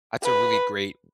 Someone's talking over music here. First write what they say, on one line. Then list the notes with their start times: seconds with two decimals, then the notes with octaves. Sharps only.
That's a really great,
0.23 B4